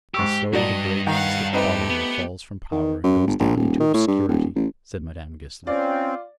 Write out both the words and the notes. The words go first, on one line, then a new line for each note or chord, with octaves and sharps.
"And so the great Mr. Fothergill falls from power, and goes down into obscurity," said Madame Goesler.
G#2 G4 C#6 E6
G2 F#3 D5 D#5
D#3 F5 F#5
A3 C4 D#4 G4 B4
B3
D#3
F#2
G1
A#1
D#1
D#3
A2
G2
D#1
A1
C4 C#4 F4 D5